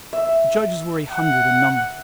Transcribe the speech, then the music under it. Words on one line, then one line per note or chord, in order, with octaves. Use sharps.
The judges were a hundred in number.
E5
F#5